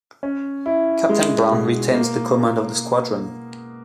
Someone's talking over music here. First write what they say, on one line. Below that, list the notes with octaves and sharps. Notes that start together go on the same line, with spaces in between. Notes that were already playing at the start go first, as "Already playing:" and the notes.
Captain Brown retained the command of the squadron.
C#4
E4
G#3
B2
A#3